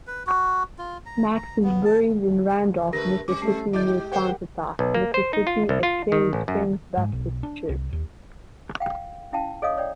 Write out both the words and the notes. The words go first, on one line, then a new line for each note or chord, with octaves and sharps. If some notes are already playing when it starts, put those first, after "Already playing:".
Max is buried in Randolph, Mississippi, near Pontotoc, Mississippi at Carey Springs Baptist Church.
B4
F#4
F4
A#5
A#5
B3
A5
D3 A3 G4 A#4 B4 A#6
G3 C#4 D6
A3 G4 A5 C7
G#3 E4 D5 D#5 D6 G6
G4
G#3 A#4 C5 C#5 F#5 G5
B1
A#3
C5
D#4
F4
C2
F4
D#3
A1
F#2
G#2
B1
D4
C2
D#2
F5 G5
C#4 E4 F5 G5 A5
A4 C#5 D#5 F5 D#6
C#5 D5 G5